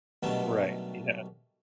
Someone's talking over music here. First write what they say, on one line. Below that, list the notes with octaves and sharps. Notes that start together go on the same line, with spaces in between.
Right. Yeah.
B2 D3 D#3 F#3 G3 A3